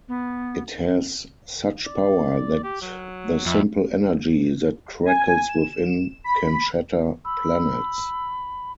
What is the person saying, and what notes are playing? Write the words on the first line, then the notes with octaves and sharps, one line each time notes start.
It has such power that the simple energy that crackles within can shatter planets.
B3
D5
G4
F#3
F2 E5
G#5
E7
B5
B5 E6